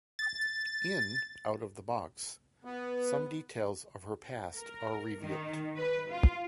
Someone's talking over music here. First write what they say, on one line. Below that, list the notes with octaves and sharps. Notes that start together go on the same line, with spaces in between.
In "Out of the Box" some details of her past are revealed.
A6
B3
A#4
D#3
B4
F4